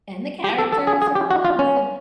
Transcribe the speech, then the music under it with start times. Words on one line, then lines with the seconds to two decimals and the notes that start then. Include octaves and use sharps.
And, the characters and all this, and
0.44 G4
0.58 A4
0.72 A4
0.87 G#4
1.02 G#4
1.15 G4
1.31 F#4
1.45 F4
1.59 C#4